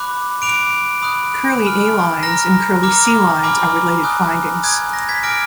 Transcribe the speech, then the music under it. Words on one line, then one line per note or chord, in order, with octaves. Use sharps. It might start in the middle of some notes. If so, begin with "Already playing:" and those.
Kerley A lines and Kerley C lines are related findings.
Already playing: B5 D6 F#6
B5 D6 F#6 D7 F7
B5 D#6 F#6
G#5 B5 F6
A#5 F6 A#6
A#5 D6 F6
G#5 B5 D6 F6
G#5 D#6 F#6
G#5 D#6 F#6 G#6
A#6
G#6 B6
G#5 D6 F6 A#6 D7